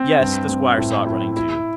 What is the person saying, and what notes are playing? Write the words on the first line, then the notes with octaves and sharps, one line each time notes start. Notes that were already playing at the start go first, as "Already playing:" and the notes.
Yes, the Squire saw it running too.
Already playing: C4
G2
C4
A2
E4
E4